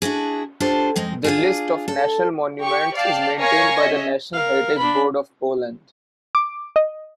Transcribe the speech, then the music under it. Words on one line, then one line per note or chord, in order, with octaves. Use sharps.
The list of national monuments is maintained by the National Heritage Board of Poland.
D4 E4 F#4 G#4
D4 F4 G4 A4 C5
F2 G#3 C4 D#5
D4 F4 G#4
A4
G4 C#6
D5 F5 G5 A5
A#4 C#5 F5 G#5 C#6 A#6
C#4 D#5 E5
A#4 F5
D4 B5
D6
D#5